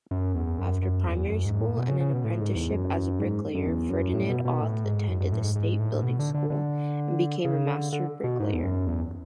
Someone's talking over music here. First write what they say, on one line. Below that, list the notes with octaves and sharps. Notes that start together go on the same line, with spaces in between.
After primary school and an apprenticeship as a bricklayer, Ferdinand Auth attended the state building school and became a master bricklayer.
F#2
E2
F#2
F#2
E2
F#2
G#2
A2
B2
C#3
C#3
B2
A2
G#2
E2
F#2
F#2
G#2
F#2
E2
F#2
A2
B2
B2
A2
G#2
F#2
F#2
A2
G#2
G#2
A2
B2
D3
D3
D3
C#3
D3
D3
B2
G#2
E2
F#2
E2